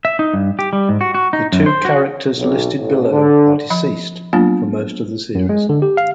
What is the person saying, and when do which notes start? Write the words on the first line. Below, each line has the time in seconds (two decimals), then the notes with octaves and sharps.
The two characters listed below are deceased for most of the series.
0.05 E5
0.19 D#4
0.34 G2
0.59 G4
0.73 G3
0.89 G#2
1.01 F#4
1.14 F#4
1.33 D#4
1.52 F#2
1.66 C5
1.85 F#4
2.37 B1
2.78 A1
3.11 D3
3.70 F3 B5
4.33 F#3 A#3 B3 D4 F4
5.35 F#2
5.49 G#3
5.69 D3
5.82 G4
5.97 F5